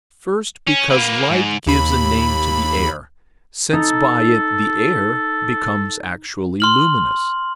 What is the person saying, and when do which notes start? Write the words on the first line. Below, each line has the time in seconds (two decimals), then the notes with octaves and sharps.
First, because light gives a name to the air, since by it the air becomes actually luminous.
0.67 C#4
0.90 A#3 B4
1.29 G#2
1.67 D#2 B5
3.73 D#4 A4
6.60 C6 F6 F#7